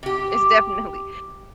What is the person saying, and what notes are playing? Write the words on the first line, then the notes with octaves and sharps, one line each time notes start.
It's definitely
C3 G4